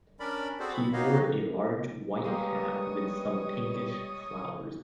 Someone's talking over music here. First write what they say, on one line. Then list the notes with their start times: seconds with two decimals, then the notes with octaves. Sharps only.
She wore a large white hat with some pinkish flowers.
0.20 C#4 D4 A#4 D5 B5
0.60 C4 F#4 G#4 A4 C5 D5
0.73 B5
0.93 D#4 F#4 G4 C#5 D#5 F5
2.24 G3 G#3 A#3 G4 B4 C#5 D#5 D#6